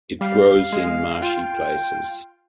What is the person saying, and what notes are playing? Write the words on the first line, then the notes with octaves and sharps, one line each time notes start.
It grows in marshy places.
G3 F5
G#3
F5
F4 G5